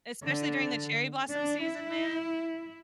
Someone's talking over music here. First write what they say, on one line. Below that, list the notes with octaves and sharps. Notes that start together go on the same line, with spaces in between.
Especially during the cherry blossom season, man.
D3
D4
E4